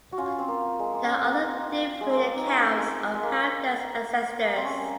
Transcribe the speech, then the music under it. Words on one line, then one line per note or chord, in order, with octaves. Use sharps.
There are other differing accounts of Halfdan's ancestors.
F#4
C#4 F4
C4
A#3
G#3
A#3
C#4
C4
A#3
G#3
C4
A#3
D#4
C#4
C4
G#3
G#3
A#3
A#3
C4
C#4
A#3